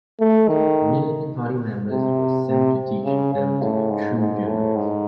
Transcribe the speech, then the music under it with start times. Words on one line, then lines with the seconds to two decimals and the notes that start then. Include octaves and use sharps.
Militant party members were sent to teach them to be "true Germans".
0.20 A3
0.49 D#3
1.91 C3
2.49 C3
3.05 C#3
3.34 C#3
3.63 A2
3.91 G#2
4.19 G#2
4.47 A2
4.76 G#2